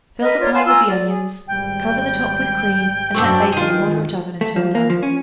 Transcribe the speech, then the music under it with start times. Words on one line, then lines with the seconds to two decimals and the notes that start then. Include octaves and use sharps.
Fill the pie with the onions, cover the top with cream and let bake in a moderate oven until done.
0.20 A#4 B4 D#5
0.40 F4 A#4 C#5 D5
0.53 F5 G#5 A5 C6
0.65 F4 G#5 A#5 E6
0.88 D5
1.07 G#4
1.48 G#1 G3 G5
3.14 F#2 F#3 A3 C4 D4
3.52 G2 D#3 F4 G#4
4.41 A3
4.56 F3
4.75 A#3
4.90 F3
5.03 C#4